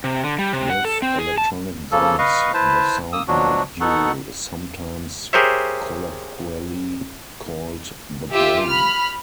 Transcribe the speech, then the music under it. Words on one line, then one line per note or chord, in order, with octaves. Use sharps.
With electronic drums, the sound module is sometimes colloquially called the "brain".
C3
D3
G3
C3
F#5
A4
C4
G#4
A5
C#3 F3 A#3 A4
B4 D#5 F5 C#6
E4 B4 C5 A5
A#3 D#6 E6
B2 F3 F#3 D4 F#4
B2 B3 D#4 A4 F#5 C#6
G4 G#4 A#4 C5 C#5 E5
F4 G4 E5
B5 F6